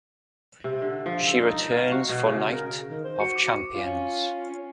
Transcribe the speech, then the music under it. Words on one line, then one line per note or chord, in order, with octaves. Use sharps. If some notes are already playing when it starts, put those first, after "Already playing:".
She returns for Night of Champions.
C3
D3
F3
A4
D#4
F5
F#4
B2
C#3
A#4
D#3
C5
F#4 C#6 C#7
D6
C#4 F4